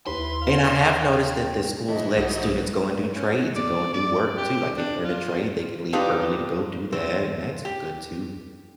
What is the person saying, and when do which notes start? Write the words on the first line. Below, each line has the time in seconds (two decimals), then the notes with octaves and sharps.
And I have noticed that the schools let students go and do trades and go and do work too. Like, if they're in a trade, they can leave early to go do that, and that's good too.
0.07 D#2 E4 B4 C6
0.42 F5
0.97 G5
1.88 E3 A3 D#5
2.17 B1 E3 F#3 D#4 C5
3.15 C#4
3.56 D5
3.93 D5
4.38 G4
4.77 D4
5.03 F4
5.93 D4 D#4 F4 G4 B4
6.92 C4
7.65 G4